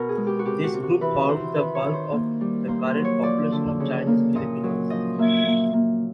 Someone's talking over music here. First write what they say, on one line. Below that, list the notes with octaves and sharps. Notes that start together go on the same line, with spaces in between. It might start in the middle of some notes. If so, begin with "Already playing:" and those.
This group formed the bulk of the current population of Chinese Filipinos.
Already playing: B2 A#4
G#4
G#3
G4
F#4
C3 G4
F#4
C3
F#4
E3 B4
E3 C5
D#3 B4
C#5
D#3
C5
A#3
G3
A#3 C5
C5
F#3
C#5
F3 D5
D3
C#3
A#3
A#2 D#5
F#3
F3 D#5
A#3 E5
A#3
A#3